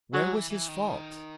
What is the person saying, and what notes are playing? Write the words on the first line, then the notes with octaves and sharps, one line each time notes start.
Where was his fault?
F#3 G#3
E3
E3
D#3